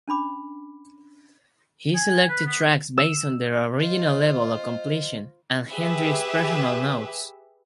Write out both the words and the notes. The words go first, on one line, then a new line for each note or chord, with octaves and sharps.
He selected tracks based on their original level of completion and Hendrix's personal notes.
C#4 D4 B5 D6
G#5
B4
B3
E6
F4 C5 D#5
G4 G#4 B4 E5